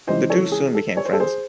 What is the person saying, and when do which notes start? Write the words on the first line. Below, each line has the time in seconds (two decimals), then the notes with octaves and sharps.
The two soon became friends.
0.07 C#2 C3 E3 C5 D#5
0.30 A4 C#5
0.52 G#4
0.75 A4
0.97 C#5
1.05 C5
1.13 A4
1.20 G#4 C5